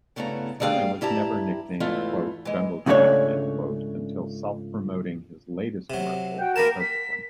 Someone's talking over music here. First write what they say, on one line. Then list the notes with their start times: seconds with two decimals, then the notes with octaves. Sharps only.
Hanna was never nicknamed "Jungle Jack" until self-promoting his latest commercial for Cosequin.
0.16 G2 C#3 A3 B3 E4 A#5
0.60 G3 A3 G#4 F5 G5
1.01 G2 E4 G4 A5 A#5
1.80 E2 G#2 E3 A3 E4 F4
2.45 E3 G#3
2.86 C#2 G#2 C#3 A3 D4 C#5
5.90 C3 F#3
6.39 F#4 F#5 G5
6.56 A#3 A#4 B4 A5
6.80 B6